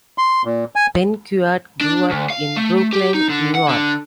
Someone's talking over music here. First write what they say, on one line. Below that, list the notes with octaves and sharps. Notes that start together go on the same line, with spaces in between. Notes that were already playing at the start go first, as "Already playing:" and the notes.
Benguiat grew up in Brooklyn, New York.
C6
A#2
G#5
D4
D2
F5
A3
G4
D#4
D3
F#5
D3